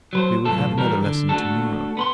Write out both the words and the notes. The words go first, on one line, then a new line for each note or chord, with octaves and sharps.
We will have another lesson to-morrow.
F#3 B4 C5
B1 E2 A2 F4 A4
E3 G3 F#4 A#4
D3
A3 D4 F#4 A4
B3 B5 C6